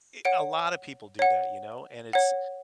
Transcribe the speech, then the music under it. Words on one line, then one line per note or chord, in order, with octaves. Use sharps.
e a lot of people do that, you know? And it's
C#5 F#5 D7
C#5 F#5
C#5 F#5